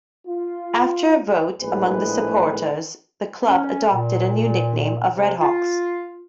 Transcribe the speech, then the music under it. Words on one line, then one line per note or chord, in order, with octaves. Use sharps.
After a vote among the supporters the club adopted a new nickname of RedHawks.
F4
A#1 A2 G#3 G#4 B4
C#4
A#2
C3
F4